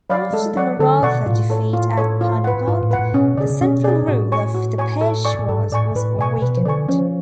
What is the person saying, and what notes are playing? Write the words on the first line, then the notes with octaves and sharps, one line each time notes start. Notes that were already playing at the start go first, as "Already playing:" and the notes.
After the Maratha defeat at Panipat, the central rule of the Peshwas was weakened.
F#3 D5 F5 B5
G#3 A4
F#3 D5 F#5 C#6
D3 A4
B2 D5 F#5 C#6
A2 F4
A4 C#5
F4
A4 C#5
F4
B4 F#5
G#2 F4
A2
B4 F#5
A2
B2 C#4
C#3 G#4 D5
C#3
B2 C#4
G#4 D5
A2 F#4
C#5 G#5 C#6
F#4
C#5 G#5 C#6
A4
D5 G#5 C#6
A2
G#2 A4
A2 D5 G#5 C#6
A2 B4
B2 D5 G#5 C#6
B2 B4
F3
D3 D5 G#5 C#6
F3 C#4